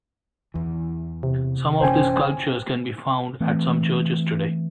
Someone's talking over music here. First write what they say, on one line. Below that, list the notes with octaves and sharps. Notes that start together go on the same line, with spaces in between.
Some of these sculptures can be found at some churches today.
E2 E3
C3
F#1 E3 C#4 C5 G5 G#5
E3 A3 C4